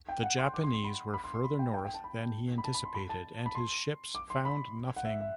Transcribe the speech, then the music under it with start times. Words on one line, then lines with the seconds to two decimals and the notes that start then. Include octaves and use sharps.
The Japanese were further north than he anticipated and his ships found nothing.
0.09 G5
0.23 F#5
0.38 C6
0.54 D6
0.63 C6
0.74 C6
0.84 B5
1.14 B5
1.24 C6
1.34 C6
1.44 B5
1.59 G5
1.74 G5
1.85 G5
1.94 A5
2.04 B5
2.58 B5
2.64 A5
2.74 B5
2.85 C6
2.94 B5
3.09 A5
3.46 B5
3.55 C6
4.15 D6
4.30 C6
4.45 B5
4.96 F#5
5.05 E5
5.20 E5